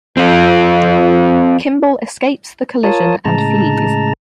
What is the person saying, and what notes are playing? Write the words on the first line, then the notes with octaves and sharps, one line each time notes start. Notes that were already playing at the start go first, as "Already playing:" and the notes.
Kimble escapes the collision and flees.
F2 C4 F4
F4 A#4 C#5 A5 D#6
A2 C#3 G#3 A5 A#5